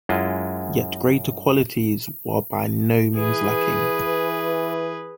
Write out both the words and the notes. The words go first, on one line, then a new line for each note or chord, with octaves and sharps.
Yet greater qualities were by no means lacking.
F#2 G#3 E4 F4 D#5
E3 G#4 B4